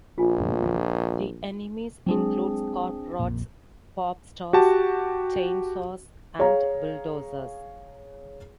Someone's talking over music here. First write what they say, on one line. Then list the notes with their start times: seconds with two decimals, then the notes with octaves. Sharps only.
The enemies include Corprats, Popstars, Chainsaws and Bulldozers.
0.18 A#1 F4 G#5
2.06 F#3 G#3 C4 D4 G#4
3.19 A#1 F2 A#2
4.53 F#4 G4 A5
6.39 G#4 C#5 F5 A#5